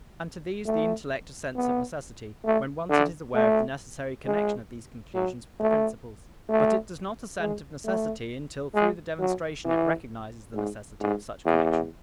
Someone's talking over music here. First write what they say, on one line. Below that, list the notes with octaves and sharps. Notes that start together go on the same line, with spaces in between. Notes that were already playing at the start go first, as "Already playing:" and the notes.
And to these the intellect assents of necessity, when once it is aware of the necessary connection of these conclusions with the principles; but it does not assent of necessity until through the demonstration it recognizes the necessity of such connection.
A3
B3
A3
D3
A3
G#3
F#3
A3
A3
G#3
A3
G#3
F#3
E3
G#2
G#2
E2